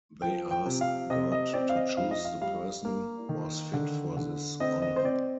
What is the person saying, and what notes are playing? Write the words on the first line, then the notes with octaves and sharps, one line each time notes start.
They asked God to choose the person who was fit for this honor.
F3 G5
G5
C3
F5
C3 D#5
D#5
C4 D5
F5
D#5
F2 F5
D#5
F5
G3 F5
A#3
D#3
D3
D3
C4 D#5
D#5
C5
C4 D5